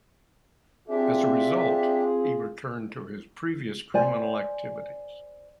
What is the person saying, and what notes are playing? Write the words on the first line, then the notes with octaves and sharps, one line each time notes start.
As a result, he returned to his previous criminal activities.
C4 D4 F4 G4 G#4 E5
C5 D5 G#5